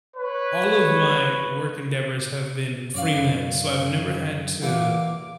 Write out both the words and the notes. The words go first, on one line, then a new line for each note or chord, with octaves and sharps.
all of my work endeavors have been freelance, so I've never had to
B4 C#5
F#2 C#5 D5 F5
C#3
E2 E3 A#3 D6